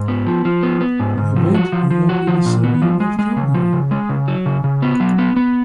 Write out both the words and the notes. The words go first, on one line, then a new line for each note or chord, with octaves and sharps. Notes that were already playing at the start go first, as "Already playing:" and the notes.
Levant grew up in a suburb of Calgary.
Already playing: G#2
B3
F3
F3
B3
B3
G#2
G#2
F3
F#4
F3
F3
F#4
F3
A#2
B3
F3
G#3
G#3
C#3
F3
C#3
G#3
C#3
F#3
C#3
C#3
B3
F#3
B3
B3